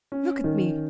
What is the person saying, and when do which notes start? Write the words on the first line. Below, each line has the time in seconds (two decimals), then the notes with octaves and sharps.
Look at me.
0.12 C#4
0.44 D#3